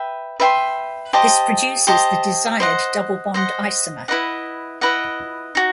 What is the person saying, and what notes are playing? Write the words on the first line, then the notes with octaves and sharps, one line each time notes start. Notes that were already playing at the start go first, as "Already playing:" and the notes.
This produces the desired double bond isomer.
Already playing: B4 E5 G5
B4 E5 G5 C6
G4 C5 D#5 A5
G4 C5 D#5 A5
C5 D#5 F#5
C5 D#5 F#5
E4 B4 D#5 F#5
E4 B4 D#5 F#5
D#4 F#4